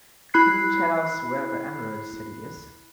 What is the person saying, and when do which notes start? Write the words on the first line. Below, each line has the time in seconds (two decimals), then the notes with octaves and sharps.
Can you tell us where the Emerald City is?
0.34 E4 B5 F#6 C7